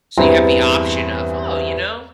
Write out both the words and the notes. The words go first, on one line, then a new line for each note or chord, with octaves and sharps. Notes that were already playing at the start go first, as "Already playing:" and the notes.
So, you have the option of, "Oh, you know,
E2 G2 E3 C4 A#5 C6